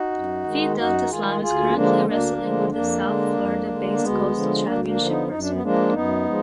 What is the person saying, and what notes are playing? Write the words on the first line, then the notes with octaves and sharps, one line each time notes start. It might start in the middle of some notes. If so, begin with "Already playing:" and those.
Phi Delta Slam is currently wrestling with the South Florida-based Coastal Championship Wrestling.
Already playing: D#4 F#4
F#2
D#3 G#3
F#2 D#4 F#4
A#4
D#3 G#3 F4 G#4
D2 F4 G#4
D3 F3 G#3 A#3 D4
D2 A#3 D4
D3 F3 G#3
F2 A#3 D4
D3 G#3
F2
D3 G#3
D2 G#3 B3
D3 F3
B3
D2 A#3 D4
A#3 D4
D3 F3
B3 D#4
F#2 D#4
D4
B3
F3 G#3 A#3 D4
F#2 B3 D#4
F3 G#3